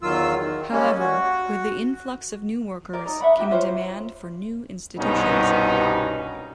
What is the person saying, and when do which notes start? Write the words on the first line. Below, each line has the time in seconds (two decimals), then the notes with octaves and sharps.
However, with the influx of new workers came a demand for new institutions.
0.03 E2 D#3 F#3 F4 E6
0.39 D#3
0.71 G3 G#3 A#3 C#4
0.99 F#4
2.93 G4 A#4 D5
3.06 D#4 A#5
3.21 E5 F#5 B5
3.37 D4 F#4 G4
3.50 E4 F4 C5 C#5
4.98 C2 G2 B2 B3 C#4 D#4